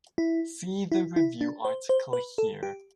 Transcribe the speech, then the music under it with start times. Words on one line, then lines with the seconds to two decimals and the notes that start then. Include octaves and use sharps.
See the review article here.
0.18 E4
0.92 E4
1.16 E4
1.41 D4
1.65 C5
1.89 C5
2.13 B4
2.38 A4
2.63 G4